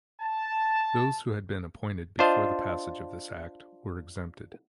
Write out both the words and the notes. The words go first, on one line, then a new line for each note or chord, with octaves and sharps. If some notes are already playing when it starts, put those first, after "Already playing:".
Those who had been appointed before the passage of this Act were exempted.
A5
D4 F4 C5 D#5 F5 A5